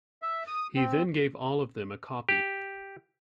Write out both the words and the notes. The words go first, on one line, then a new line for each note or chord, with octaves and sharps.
He then gave all of them a copy.
E5
D#6
C4
G4